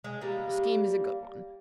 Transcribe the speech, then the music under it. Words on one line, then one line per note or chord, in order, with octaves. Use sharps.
The scheme is a good one.
G#3
G3 A#3